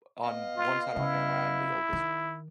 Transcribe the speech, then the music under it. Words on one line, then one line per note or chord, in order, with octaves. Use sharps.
on one side of my family, I am the oldest,
B3 D#5 F5
F4
C#3 E4
D#3